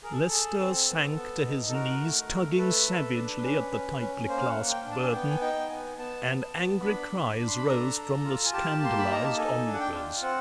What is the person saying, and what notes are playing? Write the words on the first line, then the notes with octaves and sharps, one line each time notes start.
Lester sank to his knees, tugging savagely at the tightly clasped burden, and angry cries rose from the scandalized onlookers.
G#4 A#4
A4
G#4 A4
C4
B3
B3
D#4
A4
F#4 A#4
A3
A3
A4 B4
A4
D4
C#4
C#4
C#4
A#3 C5
F5
F#5
A#3
G5
D4
A5
G#5
B3 G5
G#5
D#4 G5
B3 G#5
B3 A5
B3
B3
D4 B5
D4
D4
C6
B5
A4 A#5
A4
F4
G#5
G4 A5
A#3 C6
B5
D#4 A#5
A5
A4 G#5
D4
F#5
G5
F4
C4 F#5